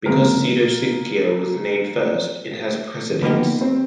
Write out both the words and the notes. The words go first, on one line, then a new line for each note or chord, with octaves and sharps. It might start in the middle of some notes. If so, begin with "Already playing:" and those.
Because Pseudosuchia was named first, it has precedence.
G2 D3 F3 G#3 A#3 C4 A#4
C5
D3 F3 A#3 B3 D#4 G4 B4
C4 C5